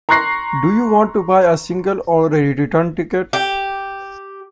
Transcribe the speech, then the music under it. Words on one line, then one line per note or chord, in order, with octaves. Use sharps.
Do you want to buy a single or a return ticket?
A#5 C6 C#6 F#6 A#6 C7
G4